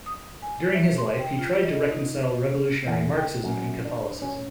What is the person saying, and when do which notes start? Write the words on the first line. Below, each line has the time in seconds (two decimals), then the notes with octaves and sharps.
During his life, he tried to reconcile revolutionary Marxism and Catholicism.
0.06 D#6
0.42 G#5
0.74 E5
0.98 C6
1.19 G5
1.39 F4
1.64 D#5
1.92 D#4
2.87 E2
3.17 G5
3.44 F#2
3.85 D4
4.22 C#4